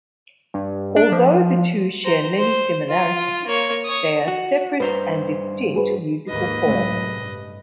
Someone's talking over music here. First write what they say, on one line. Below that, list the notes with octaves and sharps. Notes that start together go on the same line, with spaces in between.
Although the two share many similarities, they are separate and distinct musical forms.
G2
D4
F3
C5 A#5
C5
F4
A#3 C#5
C#5 D#6
F#4
G2 B4 C5 A#5
F#4 G#4 B4
D#2 G#2 A#3 B4 D#5
C#2 F#2 A2 C3 G#3 A3
G2